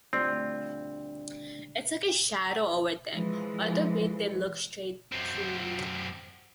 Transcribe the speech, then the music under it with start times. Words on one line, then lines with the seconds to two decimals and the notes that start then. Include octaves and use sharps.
It's like a shadow over them, or the way they look straight through you.
0.13 D2 G3 C4 F4
3.14 E3 F3 G#3
5.12 F#2 C4